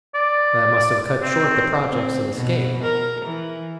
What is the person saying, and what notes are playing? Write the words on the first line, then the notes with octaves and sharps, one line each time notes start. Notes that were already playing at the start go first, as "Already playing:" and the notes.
"That must have cut short the projects of escape."
D5
C4
C4
B2
A#4
E3